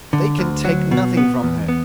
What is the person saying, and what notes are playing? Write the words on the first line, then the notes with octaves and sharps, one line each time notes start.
"They can take nothing from her."
D3
D2
F#3
B2
B3
E2
B3